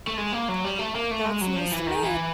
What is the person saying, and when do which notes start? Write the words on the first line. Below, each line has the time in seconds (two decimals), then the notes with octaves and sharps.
That's news to me.
0.07 A3
0.17 G#3
0.32 A#3
0.48 F#3
0.64 G3
0.79 A3
0.95 A#3
1.11 A3
1.25 G#3
1.41 F#3
1.56 F3
1.72 E3
1.87 D#3
2.03 E3